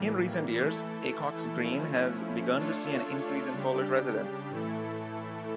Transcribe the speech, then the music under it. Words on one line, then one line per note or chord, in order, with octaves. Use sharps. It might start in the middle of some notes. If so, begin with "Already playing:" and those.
In recent years, Acocks Green has begun to see an increase in Polish residents.
Already playing: A2 E3 G3 A#3
E3 A3 E4 A4
F3 A3 C#4 E4
A3 D4 F4 A4 C#5
C#3 G3 D4 G4
A2 E3 A3 E4 A4